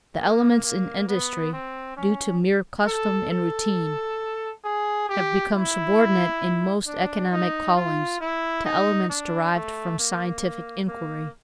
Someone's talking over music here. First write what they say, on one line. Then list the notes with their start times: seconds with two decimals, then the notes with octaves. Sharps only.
The elements in industry due to mere custom and routine have become subordinate in most economic callings to elements derived from scientific inquiry.
0.20 A#3
0.64 A#3
1.08 B3
1.52 C4
1.97 C#4
2.86 A4
3.31 A4
4.64 G#4
5.09 G4
5.54 E4
6.87 D4
7.32 D#4
7.76 F4
8.20 E4
8.65 D#4
9.09 D4
9.54 A3
9.99 A#3
10.88 A#3